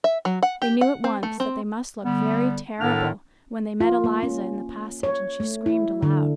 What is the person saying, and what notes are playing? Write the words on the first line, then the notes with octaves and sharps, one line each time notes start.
They knew at once that they must look very terrible when they met Eliza in the passage, and she screamed aloud.
E5
F#3
F#5
G4
F#5
C4
A3
C4
D3 G3 B3
A2 D#3 B3 D4 A4 F6
F4
A#3
C#4
C#5
A3
E4
D3